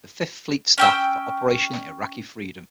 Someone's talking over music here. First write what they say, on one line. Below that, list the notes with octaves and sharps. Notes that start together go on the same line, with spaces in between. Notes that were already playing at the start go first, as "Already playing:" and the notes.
Fifth Fleet staff for Operation Iraqi Freedom.
C#4 G5 E6